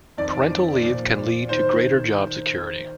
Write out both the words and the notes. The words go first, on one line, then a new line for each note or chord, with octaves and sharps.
Parental leave can lead to greater job security.
F2 D#3 D5
A#2 F3
D#3 C5